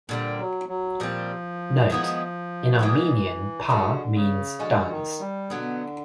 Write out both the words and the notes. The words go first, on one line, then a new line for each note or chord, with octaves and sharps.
Note: in Armenian "par" means "dance".
A#2 D3 G3 C4
F#3
F#3
A#2 F3 G3 C4
D#3 G#3 B3 E4
D#3 E3 G#3 B3 E4
D3 F3 G#3 C#4 F#4
C#3
D3 F3 G#3 C#4 F#4
D#3
G3
B2 D3 F#3 B3